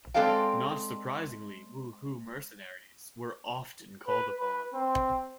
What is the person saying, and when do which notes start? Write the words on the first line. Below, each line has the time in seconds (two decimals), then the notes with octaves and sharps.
Not surprisingly, Wu Hu mercenaries were often called upon.
0.14 G#3 C4 A4 D5 F5 G5
4.08 B4
4.39 B4
4.74 C4